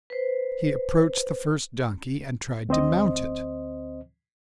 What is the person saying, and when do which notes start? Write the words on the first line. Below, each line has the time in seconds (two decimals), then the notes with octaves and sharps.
He approached the first donkey and tried to mount it.
0.10 B4 C5
2.69 D2 C4 C5 D#5